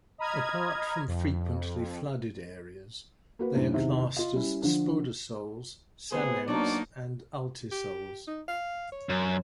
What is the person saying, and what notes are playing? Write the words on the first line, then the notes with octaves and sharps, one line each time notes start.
Apart from frequently flooded areas, they are classed as Spodosols, Psamments and Ultisols.
D#5 A#5 B5 D#6 F6 G#6
F2
A#3 F#4 B4
F#2 A2 D4
E2 C3 D#3
F4 D#5
G3 C#4 E4
D3 F3 D4
C3 A3 B3 G#4 C5
B2 F#3 A#3 D4 D#4 C#5 D5
G4
D#4
F5
C#5
F#2